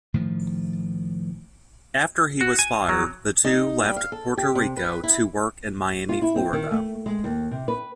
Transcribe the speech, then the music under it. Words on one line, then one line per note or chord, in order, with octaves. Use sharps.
After he was fired, the two left Puerto Rico to work in Miami, Florida.
A2 D#3 F3
F#4
G#5
F#3
D#4
G3
F5
A4
G4
C3
B4
E4
F4
E4
C4
D#3
A3
G#3
D#2
C3
B4